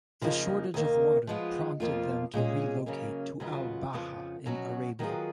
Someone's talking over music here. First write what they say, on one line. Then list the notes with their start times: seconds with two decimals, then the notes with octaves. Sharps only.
The shortage of water prompted them to relocate to Al Baha in Arabia.
0.21 F2 C#3 F3 A#3 D#4
0.74 D#2 D#3 A#3
1.27 F3 G#3 B3 F4
1.80 F2 F3 A#3 F4
2.34 A#2 G#3 C#4 G#4
2.86 C#3 F#3 A#3 C#4
3.40 D#2 C#3 F#3 B3 F4
3.93 F2 C#3 F3 B3
4.46 B2 F#3 C#4 F#4
4.99 D#3 F#3 B3 F4 G#4